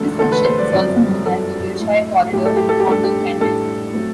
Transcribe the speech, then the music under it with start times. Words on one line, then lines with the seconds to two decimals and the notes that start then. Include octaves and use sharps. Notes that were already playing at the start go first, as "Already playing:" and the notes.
This section is also known as the Wilshire Corridor and Condo Canyon.
Already playing: E1 D2 D3 A4
0.18 E1 D2 D3 A4
0.32 B4
0.45 C5
0.58 D5
0.72 G1 F#2 F#3 C4 D5
1.26 G1 F#2 F#3 C4 A4
1.80 A2 F#3 A3 E4
2.33 A2 F#3 A3 E4 G4
2.45 A4
2.57 G4
2.69 A4
2.80 G4
2.87 A2 G3 D4 A4
3.04 G4
3.40 A2 G3 D4 A4
3.94 F#3 A3 C4